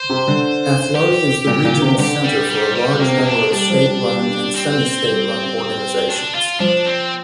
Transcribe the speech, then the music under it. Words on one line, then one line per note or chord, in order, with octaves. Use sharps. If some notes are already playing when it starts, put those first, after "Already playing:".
Athlone is the regional centre for a large number of state-run and semi-state-run organisations.
Already playing: C5
C3
D3
G4
A#2
A#2
C3
D3 G4
G3
G3
G3
C3 A#3
C3
D4
A#3
G3 D4
F3
G3
G3
C4
G3
D4
F4
F3 D4
C4